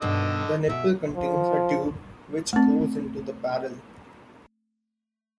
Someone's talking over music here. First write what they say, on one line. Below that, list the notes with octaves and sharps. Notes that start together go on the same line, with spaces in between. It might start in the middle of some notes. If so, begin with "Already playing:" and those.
The nipple contains a tube which goes into the barrel.
G2 B2 D3 D#3 D#5 E6
B2 E5
F3
A3 C4